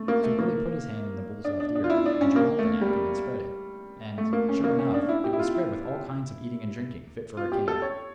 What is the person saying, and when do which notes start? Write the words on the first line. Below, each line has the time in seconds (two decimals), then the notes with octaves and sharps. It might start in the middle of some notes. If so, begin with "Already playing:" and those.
So Billy put his hand in the bull's left ear, and drew out the napkin, and spread it; and, sure enough, it was spread with all kinds of eating and drinking, fit for a king.
Already playing: A3
0.08 A#3
0.24 A3
0.39 A#3
1.45 D4
1.60 D4
1.76 D4
1.84 F4
1.90 E4
2.06 D4
2.21 C#4
2.36 A#3
2.59 A3
2.82 G3
4.18 A3
4.33 A#3
4.49 C#4
4.64 A#3
4.79 C#4
4.94 D4
5.09 E4
5.24 G4
5.33 E4
5.39 F4
5.55 E4
7.37 F4
7.52 G4
7.68 A4
7.82 C#5